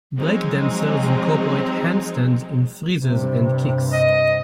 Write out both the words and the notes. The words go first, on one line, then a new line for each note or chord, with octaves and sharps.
Breakdancers incorporate handstands in freezes and kicks.
F3 F#3 G#3 C4 D#4
G2 C3
D#5